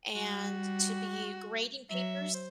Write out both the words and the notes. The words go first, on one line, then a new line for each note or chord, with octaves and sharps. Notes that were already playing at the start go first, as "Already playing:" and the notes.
and to be grading papers.
G3 F#4
F#3 E5
C5